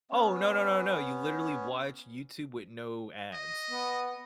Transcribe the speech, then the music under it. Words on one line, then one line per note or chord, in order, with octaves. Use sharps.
Oh, no, no, no, no, you literally watch YouTube with no ads.
B3 C#4
D#5
B3